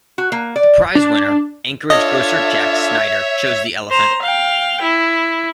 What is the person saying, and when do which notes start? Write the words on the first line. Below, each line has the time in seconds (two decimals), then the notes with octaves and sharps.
The prize-winner, Anchorage grocer Jack Snyder, chose the elephant.
0.18 F#4
0.32 A#3
0.56 D5
0.95 D4
1.90 D4 F4 A4 C#5 D#5 E5
3.91 C5 A#5
4.23 F5 G5
4.82 E4